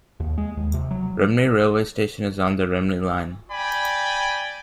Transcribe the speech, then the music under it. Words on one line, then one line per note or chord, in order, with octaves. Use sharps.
Rhymney railway station is on the Rhymney Line.
D#2
G#3
D#2
C3
F#3
D5 G5 G#5 B5